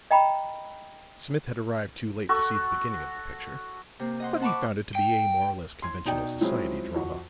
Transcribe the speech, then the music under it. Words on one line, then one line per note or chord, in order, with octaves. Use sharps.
Smith had arrived too late to see the beginning of the picture; but he found it to be a more or less conventional society drama.
D#5 G5 A#5 B5
F#4 A4 C#6
C3 A#3
D#5 F#5 C6
F#5 A5 B5 C#6 D6
G5
C6 G#6
B2 D#4 D5 G5
F3 F#3 G#3 C4 C#4 E4
F2 F#4